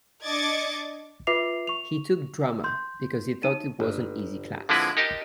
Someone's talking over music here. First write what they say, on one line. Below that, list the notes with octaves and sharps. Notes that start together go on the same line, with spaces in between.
He took drama because he thought it was an easy class.
D4 D#5 D6 G#6 A6 C#7
F4 B4 E5 D6 C7 F7
C#6 F7
C6 G6
D#4 D#7
G1
D3 F3 G#3 C4 E4 B4
D#4 G4 A#4 D#5 A5